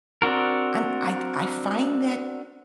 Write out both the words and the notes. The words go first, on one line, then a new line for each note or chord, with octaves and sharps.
I'm I'd I find that,
C4 D4 F#4 A#4